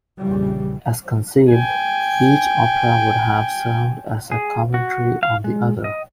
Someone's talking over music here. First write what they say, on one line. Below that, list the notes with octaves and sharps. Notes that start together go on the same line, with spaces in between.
As conceived, each opera would have served as a commentary on the other.
A#1 F2 C#3 E3 G3
G5 G#5
G#4
F#4
F5
G#3
D#5